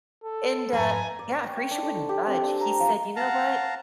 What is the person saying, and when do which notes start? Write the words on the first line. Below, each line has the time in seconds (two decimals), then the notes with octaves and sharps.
And, uh Yeah, Horatio wouldn't budge. He said, "You know what?
0.24 A4
0.73 F2 G#2 B4 G#5 A#5
1.19 D5
1.32 C#6
1.45 G5
1.57 C5
1.71 D4
1.82 A4
1.96 A4
2.09 G4
2.27 C4
2.43 D4
2.61 A#5
2.80 F3
3.16 F5 F#5 A5 A#5